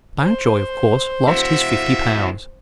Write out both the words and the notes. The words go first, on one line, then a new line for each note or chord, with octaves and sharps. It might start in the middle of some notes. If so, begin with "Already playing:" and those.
Mountjoy of course lost his fifty pounds.
C5
E4 F#4 E5